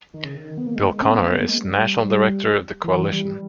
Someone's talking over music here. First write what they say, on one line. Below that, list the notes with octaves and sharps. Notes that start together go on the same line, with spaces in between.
Bill Connor is national director of the coalition.
D#3
C#3
D#3
B3
A#3
G#3
C#4
B3
A#3
B3
A#3
G#3
G3
E3
E3
G3
G3